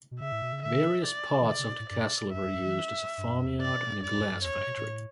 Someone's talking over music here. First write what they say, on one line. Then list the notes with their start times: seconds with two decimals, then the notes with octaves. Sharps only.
Various parts of the castle were used as a farmyard and a glass factory.
0.11 B2
0.21 C#3 E5
0.32 A2
0.42 B2
0.52 C#3
0.63 D3 E5
1.05 D5
1.41 E3
1.47 D3 D5
1.59 C#3
1.69 B2
1.80 A2
1.90 G2 D5
2.33 F#2 E5
2.44 F#2
2.54 F#2
2.65 E3
3.18 G2
3.32 F#2
3.46 E2
3.59 F#2 D5
4.03 F#2 D5
4.17 F#2
4.31 G2
4.39 F#2
4.45 E2 C#5
4.56 G2
4.67 B2
4.77 A2